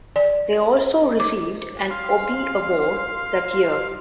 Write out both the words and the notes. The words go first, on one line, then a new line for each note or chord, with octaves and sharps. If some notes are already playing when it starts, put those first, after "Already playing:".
They also received an Obie award that year.
D5
D6
F5 C6